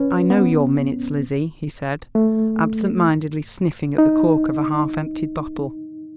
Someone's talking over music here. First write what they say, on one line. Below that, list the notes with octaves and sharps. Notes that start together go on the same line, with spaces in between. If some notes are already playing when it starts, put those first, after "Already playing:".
"I know your minutes, Lizzie," he said, absent-mindedly sniffling at the cork of a half-emptied bottle.
Already playing: C#4 B4
B3
A3
D#4